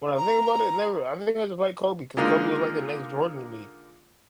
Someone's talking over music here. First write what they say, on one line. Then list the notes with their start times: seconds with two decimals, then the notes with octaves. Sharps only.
When I think about it, never, I think I just like Kobe because Kobe was like the next Jordan to me.
0.17 A#5
2.17 A#2 D3 G#3 A#3 D#4